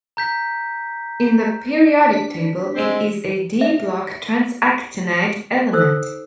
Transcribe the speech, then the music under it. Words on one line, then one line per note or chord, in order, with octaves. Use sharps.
In the periodic table, it is a d-block transactinide element.
A#5 G6 B6
D4 B6
G#3 C4
E5
D#4 A4 C5 E6